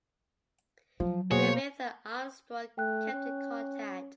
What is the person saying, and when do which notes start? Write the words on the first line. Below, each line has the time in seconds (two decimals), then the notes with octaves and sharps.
Griffith and Armstrong kept in contact.
1.00 F3 F#3
1.31 B2 A#3 F#4 G#4 C5 C#5
2.78 A3 G5 F#6
3.13 C#4